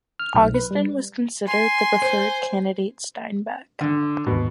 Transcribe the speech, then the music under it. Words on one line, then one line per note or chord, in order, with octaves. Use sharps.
Augustin was considered the preferred candidate Steinbeck.
F6
B1
B4
G3
G#5 C6
C5
D3
D#2 G#2 B2